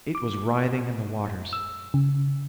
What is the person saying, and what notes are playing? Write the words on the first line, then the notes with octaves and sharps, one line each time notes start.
It was writhing in the waters.
D6
E6
C#3